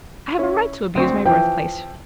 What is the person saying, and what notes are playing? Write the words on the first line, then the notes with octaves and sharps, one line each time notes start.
I have a right to abuse my birth-place.
C#4 E4
D2 C4 C#6
E3 F3 G5